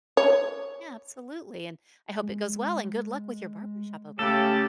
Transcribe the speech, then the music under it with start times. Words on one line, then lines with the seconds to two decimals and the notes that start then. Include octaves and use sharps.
Yeah, absolutely, and I hope it goes well and good luck with your barbershop opening.
0.17 C#5
2.22 G#3
4.19 C#3 A3 G4 A4 A6